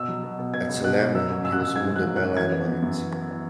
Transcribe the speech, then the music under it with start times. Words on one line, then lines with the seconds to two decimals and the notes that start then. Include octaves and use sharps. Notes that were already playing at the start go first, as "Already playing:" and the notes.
At Salerno he was wounded by landmines.
Already playing: B2 E6
0.08 F#3
0.23 B2
0.39 B2
0.54 B2 G#6
0.69 C#2
0.84 B2 F#6
1.00 B2
1.15 F#3 E6
1.30 A1
1.45 A1 E6
1.52 F#6
1.60 A1 E6
1.76 G#2 G#6
1.91 A1 F#6
2.06 F#3
2.17 F#6
2.22 A1
2.37 E3 G#6
2.52 B3
2.67 F#2
2.82 F#2
2.98 E3
3.13 B3
3.28 E3